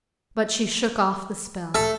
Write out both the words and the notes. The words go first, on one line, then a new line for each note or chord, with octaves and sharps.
But she shook off the spell.
A3 A4